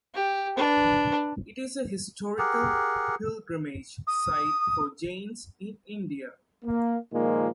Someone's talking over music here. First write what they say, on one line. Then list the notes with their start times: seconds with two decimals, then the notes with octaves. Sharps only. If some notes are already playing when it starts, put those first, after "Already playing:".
It is a historical pilgrimage site for Jains in India.
0.15 G4
0.57 D4 B4
2.38 G4 G#4 A#4 F#5
4.07 D#6
6.65 A#3
7.13 A#2 D#3 F3 G#3 A#3